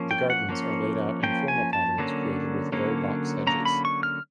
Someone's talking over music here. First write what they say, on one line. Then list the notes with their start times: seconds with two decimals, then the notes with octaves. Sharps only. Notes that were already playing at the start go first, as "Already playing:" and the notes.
The gardens are laid out in formal patterns created with low box hedges.
Already playing: F3 A#3 C#4
0.11 G5
0.30 F#5
0.49 F3 A#3 C#4
1.23 F3 A#3 C#4 G5
1.48 G#5
1.73 A5
1.98 D3 F#3 A#3 C#4
2.72 D3 F#3 A#3 C#4
3.47 D3 F#3 A#3 C#4 A#5
3.65 B5
3.85 C#6
4.03 F6